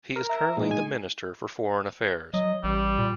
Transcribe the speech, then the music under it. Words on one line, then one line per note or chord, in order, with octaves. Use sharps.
He is currently the Minister for Foreign Affairs.
A#4
E5 A#5
A#2 G#3 D#4
G#5
F#3 D#5
A1 G3
A#2